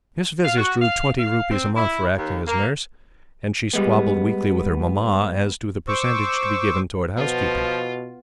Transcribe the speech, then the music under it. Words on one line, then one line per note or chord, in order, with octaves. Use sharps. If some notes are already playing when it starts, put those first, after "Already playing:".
Miss Vezzis drew twenty rupees a month for acting as nurse, and she squabbled weekly with her Mamma as to the percentage to be given towards housekeeping.
F5
F#4
F5
F5
C4
E4
D#2
A#3
G3 G#3 B3
C5 C#6 D6 E6
B2 F3 B3 F4